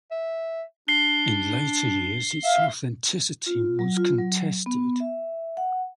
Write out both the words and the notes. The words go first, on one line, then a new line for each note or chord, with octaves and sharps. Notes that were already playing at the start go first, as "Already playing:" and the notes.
In later years its authenticity was contested.
E5
D4 C7 G7
E5 F5
F4
F#3
F4
F#3
B3
E5
F#5